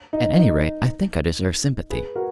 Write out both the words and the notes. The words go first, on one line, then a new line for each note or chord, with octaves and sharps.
At any rate I think I deserve sympathy.
D#4
D#4
G#4 B4
F#4 A#4